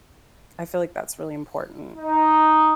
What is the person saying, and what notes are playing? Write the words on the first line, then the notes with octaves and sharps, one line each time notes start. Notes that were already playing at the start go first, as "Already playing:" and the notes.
I feel, like, that's really important.
D#4